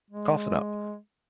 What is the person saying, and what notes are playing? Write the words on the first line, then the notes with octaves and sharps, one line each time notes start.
Cough it up.
G#3